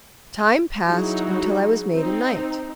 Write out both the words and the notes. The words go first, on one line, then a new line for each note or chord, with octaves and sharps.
Time passed until I was made a knight.
F#3 D#4 E4 F#4 G#4
C4 D#4